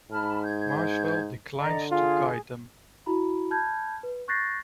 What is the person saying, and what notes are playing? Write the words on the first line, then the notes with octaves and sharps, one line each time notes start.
Marswell declines to guide them.
G#2 A5 B5 F6
G6 G#6
D3 D5 D#5 A#5
F4 G#4
E4 F#4 A#5 B5
A5 B5 F6 G6 G#6
B4
C#6 F#6 G6 A6 A#6 C7